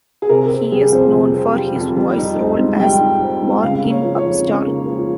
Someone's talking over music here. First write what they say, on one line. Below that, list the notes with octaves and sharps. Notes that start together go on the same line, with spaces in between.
He is known for his voice role as Bark in "Pup Star".
G#4
C3 A#4
C4
G3 G#4
F2 C5
C3
C4
G3
F2
G3
D#4
C4
G#2
G3 G5
D#4
C4
G#2
C#3 F5
A#3
C#5
F3
C#5
F2
C#3
A#3
F3